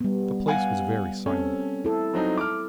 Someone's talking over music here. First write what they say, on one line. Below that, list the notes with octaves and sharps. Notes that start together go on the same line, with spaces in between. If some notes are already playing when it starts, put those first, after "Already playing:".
The place was very silent.
G3 B3
F5 F#5 G#5
C4 C#4 A4
E4 A4
F#3 C4 D#4
D6 F6